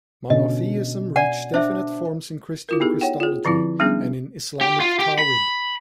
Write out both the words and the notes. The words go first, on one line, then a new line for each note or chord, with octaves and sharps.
Monotheism reached definite forms in Christian Christology and in Islamic Tawhid.
B2 D3 C#4 D#5
D5 F#5 G#5
D4 C5 E5
E4 F4 A#4
B3 D#4 G4 G#4
C#5 F#5 G5
F4 G#4
D3 F3 C4 E4
F#3 G3 B3 C#4 D4 G#4
G4
F4
G4
B5